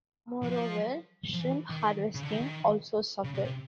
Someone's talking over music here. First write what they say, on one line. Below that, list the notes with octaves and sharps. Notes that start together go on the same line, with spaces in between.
Moreover, shrimp harvesting also suffered.
E3
F3
F3
E3
D#3
C#3
D3
D#3
C#3
C3
C3